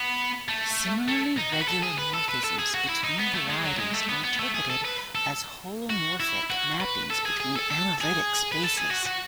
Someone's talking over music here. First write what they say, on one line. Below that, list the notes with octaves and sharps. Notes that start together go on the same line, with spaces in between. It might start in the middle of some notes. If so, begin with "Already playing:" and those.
Similarly, regular morphisms between varieties are interpreted as holomorphic mappings between analytic spaces.
Already playing: B3
A3
A3
D#4
F#4
B4
A4
G#4
B4
A4
B4
A4
G#4
F#4
E4
D#4
B3
A3
G#3
F#3
G#3
A3
B3
B3
A3
G#4
A4
B4
A4
F#4
E4
F#4
B4
A4
G#4
G#4
A4
A4
G#4
B4
A4
G#4
F#4
F#4